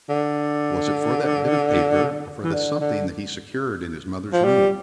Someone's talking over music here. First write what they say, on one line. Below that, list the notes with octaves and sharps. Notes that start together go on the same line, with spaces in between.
"Was it for that bit of paper or for the something that he secured in his mother's room?"
D3
E3
D3
D3
F3
G3